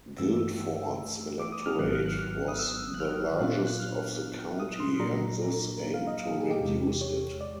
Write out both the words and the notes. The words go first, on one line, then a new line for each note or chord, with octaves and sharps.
Guildford's electorate was the largest of the county and this aimed to reduce it.
G2 E3 A3 E6
D6
D#6
F6
G#1 G#2 D#3 F#3 B3 F#6
F6
F#6
F6
D#6
E6
F#6
F6
A#2 F#3 B3 D4 F4 F#6
F#6
F#6
F6
D#6
C6
A#2 F#3 A#3 D4 A#5
F5
D#5
A4
G#4
G4
E2 C3 E3 G#3
C#5
D5